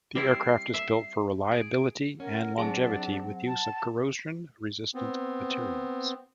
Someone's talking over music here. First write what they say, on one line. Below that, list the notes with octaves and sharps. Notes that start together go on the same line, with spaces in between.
The aircraft is built for reliability and longevity, with use of corrosion-resistant materials.
G3 C4 E4 C7
E5
G#4 D7
C#4 A#4 F#5
F#3 C4 D4 G#4 G#5 A5
A5
B3 C4